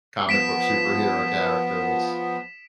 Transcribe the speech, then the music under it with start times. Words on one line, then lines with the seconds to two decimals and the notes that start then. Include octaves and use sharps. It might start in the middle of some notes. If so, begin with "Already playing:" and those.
comic book superhero characters.
0.29 F3 B3 B6 D7 E7